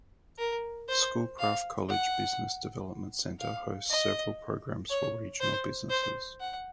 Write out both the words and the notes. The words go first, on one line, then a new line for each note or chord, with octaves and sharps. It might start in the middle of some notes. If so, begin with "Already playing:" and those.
Schoolcraft College's Business Development Center hosts several programs for regional businesses.
A#4
C5
F5
F#5
F5
D#5
C#5
C5
C5
F#5